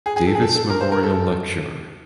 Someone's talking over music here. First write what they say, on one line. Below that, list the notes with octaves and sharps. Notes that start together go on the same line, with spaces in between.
Davis Memorial Lecture.
G#4
G#4
A4
G#4
A4
A4
A#4
C5
A#4
A4